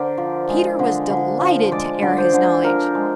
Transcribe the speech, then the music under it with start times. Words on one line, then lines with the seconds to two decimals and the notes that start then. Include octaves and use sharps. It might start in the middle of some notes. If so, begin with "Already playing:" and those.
Peter was delighted to air his knowledge.
Already playing: D3 A#4 C5 D5
0.18 F3
0.49 G#3
0.79 D3
1.10 D3
1.41 F3
1.71 G#3 D5
2.02 D3
2.18 C5
2.33 D3
2.64 F3 A#4
2.95 G#3